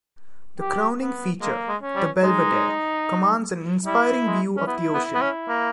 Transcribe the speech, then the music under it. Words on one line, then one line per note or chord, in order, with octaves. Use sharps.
The crowning feature, the belvedere, commands an inspiring view of the ocean.
G4
B3
G#3 A#3
G#3
C#4
G3
G#3 D#4
G3 E4
G#3
C#4
B3 E4
B3
B3
C#4
A#3